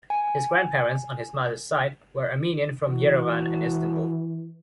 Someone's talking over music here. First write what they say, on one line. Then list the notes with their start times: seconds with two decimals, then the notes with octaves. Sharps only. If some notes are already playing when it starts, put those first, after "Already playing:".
His grandparents on his mother’s side were Armenian from Yerevan and Istanbul.
0.10 G#5
2.88 E3 F#4